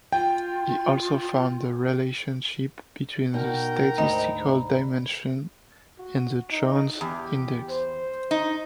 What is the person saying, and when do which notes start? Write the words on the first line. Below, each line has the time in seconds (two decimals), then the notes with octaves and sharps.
He also found the relationship between the statistical dimension and the Jones index.
0.12 F4 G5
3.34 B2 D#4 F#4 A#4 G5
3.98 D2 G#2 D#4 A#5 B5
5.98 F#4
6.51 D#4
7.01 E2 G4
7.70 C5
8.31 D#4